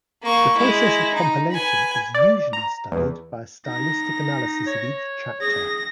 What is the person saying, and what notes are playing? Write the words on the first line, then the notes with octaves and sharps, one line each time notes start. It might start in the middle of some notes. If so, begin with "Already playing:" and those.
The process of compilation is usually studied by stylistic analysis of each chapter.
A#3 C#6
G#3 E4
D#4
B4 G#5
D5
A#5
E2
D#4 A#6
C#5
G#4 A#6